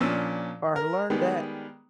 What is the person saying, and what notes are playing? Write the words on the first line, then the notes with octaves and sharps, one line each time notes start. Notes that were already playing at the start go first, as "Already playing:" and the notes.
or learned that
A#2 F3 C#4 D4 E6
A#4
D#3 G3 G#3 B3